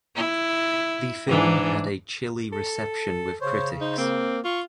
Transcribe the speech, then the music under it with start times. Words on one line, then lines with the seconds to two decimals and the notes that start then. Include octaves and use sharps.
The film had a chilly reception with critics.
0.16 E4
1.27 G#2 E3 D4
2.53 A4
3.41 C#3 C5 C#5
3.81 D#4 C5
3.98 A#3 C4
4.44 F4 C#6